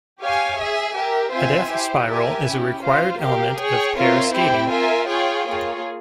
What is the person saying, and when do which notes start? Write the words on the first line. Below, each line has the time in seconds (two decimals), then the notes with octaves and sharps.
A death spiral is a required element of pair skating.
0.20 G4 C#5 F5 G#5
0.57 G#4 E5 G#5
0.95 G4 A#4 E5
1.32 C4 F4 C5 E5 G#5
1.70 E4 G4 C5
2.08 G4 A#4 E5 G#5
2.46 C#4 E4 G4
2.83 F4 C5 F5
3.21 G4 A#4 F5
3.59 G#4 C#5 G5
3.96 C4 F4 A#4 C#5 E5
4.34 C4 E4 G4 C5 G5
4.71 F4 A#4 E5 G#5
5.08 F4 G#4 C#5 G5
5.46 A#3 F4 G#4 C#5